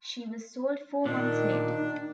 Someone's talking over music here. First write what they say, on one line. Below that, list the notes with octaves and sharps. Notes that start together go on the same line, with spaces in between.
She was sold four months later.
A#2 D#3 D4
D#4